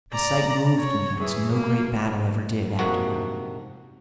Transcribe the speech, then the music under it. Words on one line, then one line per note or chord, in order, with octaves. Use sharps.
The sight moved me as no great battle ever did afterward.
D5 A#5
C#5
E3 G#4
A#3
A#1 G#2 C3 A#3 F#4 F#5